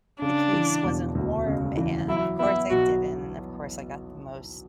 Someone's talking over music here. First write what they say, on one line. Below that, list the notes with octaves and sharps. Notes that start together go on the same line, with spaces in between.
the case wasn't warm and of course I didn't and of course I got the most
C#3 D4
E3
E1
D2
C#3
E3
F#3 E4
B3 E4
B1 F#4